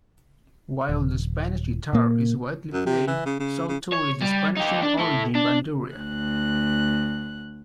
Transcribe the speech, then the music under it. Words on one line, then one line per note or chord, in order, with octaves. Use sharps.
While the Spanish guitar is widely played, so too is the Spanish-in-origin bandurria.
D#1
A#2 A#3
F#2
C3
E3
C#3
C#3
C#3
C#5
G3
D#4 G4
D4
E4 A4
D4
D2 F#6